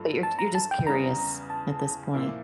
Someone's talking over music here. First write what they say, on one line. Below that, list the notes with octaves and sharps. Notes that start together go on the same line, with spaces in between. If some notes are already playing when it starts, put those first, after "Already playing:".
But you're you're just curious at this point.
Already playing: G2 F3 A3
A5
A#5
A5
G5
E2 C#3 G3 A#5
A5
A#2 F3 A#3 E4